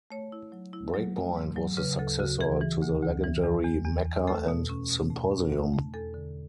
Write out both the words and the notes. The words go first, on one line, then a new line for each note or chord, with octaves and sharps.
Breakpoint was the successor to the legendary Mekka and Symposium.
A3 C#5
E4
F#3
E4
F#3
A3
G#2
F#3
C#3 B4
D2 A4
C#3 F#4
E3 G#4
E3
D2
D2
E3
E2
E2
E2
E2
A3 A4
B2
C#4
B2
A3
D4
E2
A3
E2 A4
D3